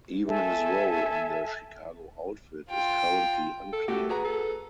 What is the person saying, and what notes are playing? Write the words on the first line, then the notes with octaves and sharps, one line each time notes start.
Even his role in the Chicago Outfit is currently unclear.
A4 E5 G#5
F4 G5
A4
A3 F#4 G4
F#4 G#4 B4 A#5
A4